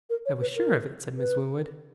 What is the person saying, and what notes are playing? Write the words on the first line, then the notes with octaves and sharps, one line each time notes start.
"I was sure of it," said Miss Winwood.
A#4
C#5
B4
A#4
B4